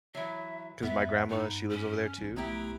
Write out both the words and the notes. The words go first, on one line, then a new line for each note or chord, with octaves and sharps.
'cause my grandma, she lives over there too,
E3 F#3 E5
F2 G#2 F#3 B3 E5
G2 G3 D#4
C#4
A1 A2 G3
B1 B2 F3 A3 B3 E4 G4 A#5